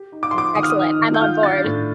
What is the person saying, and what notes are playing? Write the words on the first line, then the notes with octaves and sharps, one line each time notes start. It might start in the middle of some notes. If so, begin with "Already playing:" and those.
excellent, I'm on board.
Already playing: G4
D#4
D6
C6
F3 D6
D#3 D#6
F6
D#6
D#4
D#3
G6
F4 F6
D4 A6
A2